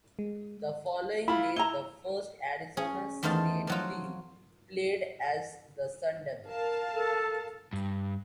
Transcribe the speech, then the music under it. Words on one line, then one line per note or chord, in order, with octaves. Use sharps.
The following day, the first Arizona State team played as the Sun Devils.
G#3
E4 F4 B5
E4 A#5 G7
C#4 G#4
E2 D#3 A3 C5 F5 A5
F3 F#3 F4
A#4 F5 A5
A4
G2